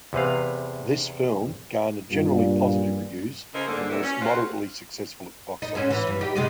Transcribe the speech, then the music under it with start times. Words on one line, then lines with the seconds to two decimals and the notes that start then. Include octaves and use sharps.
This film garnered generally positive reviews and was moderately successful at the box office.
0.13 E2 C3 B4 F5
2.10 G2 A#2
3.54 C#3 E4 A4 A#4 C5 D#5
3.68 G#2 D3 A#3
3.89 C3 F#3 G3 A3 B3 E4
4.03 C#4
4.22 C4 F4 F#4
5.62 D#4
5.75 G#2 C#4
5.90 E3
6.07 G2
6.21 D#4 G4
6.35 C3 G#3 D#4